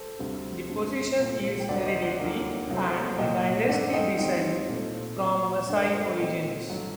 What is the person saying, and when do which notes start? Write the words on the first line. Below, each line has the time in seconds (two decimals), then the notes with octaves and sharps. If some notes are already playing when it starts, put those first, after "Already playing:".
The position is hereditary, and the dynasty descend from Maasai origins.
Already playing: A4 C5
0.19 D2 C3 G3 C4
0.69 G2 D3 A3 C4
1.19 C2 A#2 A3 C4
1.60 G5
1.69 D2 C3 F#3 C4 D5 F#5
1.86 C5 D#5
2.02 D5 F#5
2.19 D#2 D3 F#3 A#3
2.69 C2 C3 F#3 A3 C4
3.18 C2 A#2 F#3 A#3 D#5 G5
3.68 G2 D#3 A3 C4 D5 F#5
3.93 D#5 G5
4.18 D#2 D#3 G3 C4 D#5 G5
4.69 A#2 A3 C4
5.18 A#2 F#3 C4
5.68 G2 D3 A3 D5 F#5
5.81 A#4 D5
5.93 A4 C5
6.06 C5 D#5
6.18 A#2 F#3 A3 C4 D#5 G5
6.69 G2 D3 F#3 A3